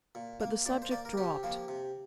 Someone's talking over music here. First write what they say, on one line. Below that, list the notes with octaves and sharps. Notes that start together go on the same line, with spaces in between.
But the subject dropped.
A#2
A#3
A#2 D5
C5
A#3 D5
A#4
C3 G4
F3 A#3
C3